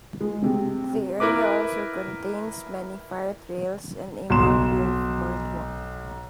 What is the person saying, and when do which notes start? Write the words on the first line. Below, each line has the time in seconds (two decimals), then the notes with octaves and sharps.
The area also contains many fire trails and a mangrove boardwalk.
0.20 G#3
0.44 C3
1.20 E4 A#4 B4 D6
4.30 B1 C6 E7